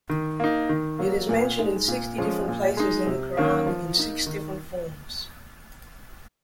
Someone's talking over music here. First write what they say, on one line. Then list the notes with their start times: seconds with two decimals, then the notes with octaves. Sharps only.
It is mentioned in sixty different places in the Qu'ran, in six different forms.
0.10 D#3
0.40 A#3 D#4
0.69 D#3
0.99 F#3 A#3
1.29 A#2
1.59 G#3 D#4
1.88 A#2
2.18 F3 G#3 C#4
2.48 A#2
2.77 G#3 D#4
3.07 C3
3.37 D#3 A#3 C#4
3.66 F3
3.96 A#3 D#4
4.26 D#3